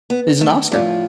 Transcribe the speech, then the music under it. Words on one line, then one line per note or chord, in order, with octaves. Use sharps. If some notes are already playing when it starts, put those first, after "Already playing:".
He's an oscar.
B3
A3
A2 F3 G3